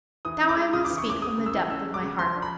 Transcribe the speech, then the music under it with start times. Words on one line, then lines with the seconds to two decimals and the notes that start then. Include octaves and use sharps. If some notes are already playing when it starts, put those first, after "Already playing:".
But now I will speak from the depth of my heart.
0.25 E3 D#6
0.41 C#4
0.49 D6
0.56 G#3
0.73 C#3 D#6
0.85 D6
0.90 E3
0.98 C#6
1.05 C#4 D6
1.21 G#3 D#6
1.38 C#3
1.46 E6
1.54 E3
1.70 C#4 E6
1.86 G#3
1.94 D6
2.02 C#3
2.18 F3 C6
2.35 D4
2.42 B5